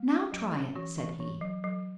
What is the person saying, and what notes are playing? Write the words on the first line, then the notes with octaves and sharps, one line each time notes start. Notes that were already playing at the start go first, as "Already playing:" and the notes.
"Now try it," said he.
Already playing: G#3
C#4
F#3
C#4
E3 F#4
E3
E3
F#3
F#3